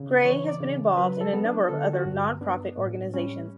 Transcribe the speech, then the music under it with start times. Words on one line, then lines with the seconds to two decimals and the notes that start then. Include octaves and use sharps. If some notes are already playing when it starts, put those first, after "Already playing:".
Grey has been involved in a number of other nonprofit organisations.
Already playing: C#3
0.16 B4
0.25 E3 C#5
0.48 D5
0.60 C#3
0.97 F#3 B4
1.21 A4
1.33 B3
1.45 D4
1.69 D3 A4
1.93 F#4
2.05 G2
2.41 B3 D4
2.78 A2
3.14 G3 C#4